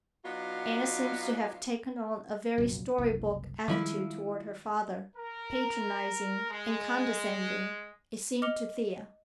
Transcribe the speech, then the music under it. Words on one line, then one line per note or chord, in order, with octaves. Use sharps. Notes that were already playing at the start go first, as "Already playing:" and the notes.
Anna seemed to have taken on a very story-book attitude toward her father; patronizing and condescending, it seemed to Thea.
F#3 B3 D4 D#4 F4 F#4
F1 A#1 F#2
F#1 C2
D#3 F3 G3 G#3 E4 B5
A#4
G#3
D#5 D6 F6 C#7 F7 G7